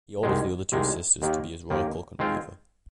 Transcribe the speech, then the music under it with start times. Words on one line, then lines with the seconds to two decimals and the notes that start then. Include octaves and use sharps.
He orders the other two sisters to be his royal cook and weaver.
0.23 C2 C3 D#3 G#3
0.72 C2 C3 D#3 G#3
1.22 D#2 D#3 A#3
1.70 D#2 D#3 A#3
2.19 D#3 G#3 C4 F4